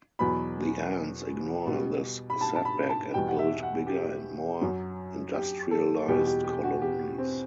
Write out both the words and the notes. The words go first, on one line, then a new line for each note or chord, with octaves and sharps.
The ants ignore this setback and build bigger and more industrialized colonies.
E2 B2 F#3 B5
B2 G3
B5
A5
A5
B5
A5
E2 B2 G3 G5
F#5
E5
F#5
G4
F#2 F#3
G4
A4
E2 B2 G3 G4
G4
G4
F#4
G4
C4